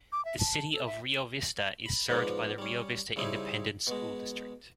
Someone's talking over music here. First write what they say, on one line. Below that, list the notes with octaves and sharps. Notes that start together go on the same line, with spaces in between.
The City of Rio Vista is served by the Rio Vista Independent School District.
D6
E5
A5
A4
E5
B5
G#2 B2 F3 B3 D4
G3 C#4
C#3 G3 C4 D#4 E4 G#4
B2 G#3